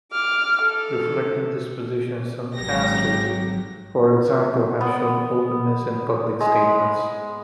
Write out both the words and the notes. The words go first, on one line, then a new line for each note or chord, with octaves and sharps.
Reflecting this position, some pastors, for example, have shown openness in public statements.
D6 F6
A4
G#1 F#3 G4 A#6
F#3
B3
G#3